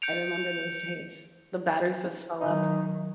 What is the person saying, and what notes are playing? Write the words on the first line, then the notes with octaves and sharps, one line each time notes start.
I remember those days. The batteries would swell up.
G6 C#7 D7 F7
D#3 F#3 D#4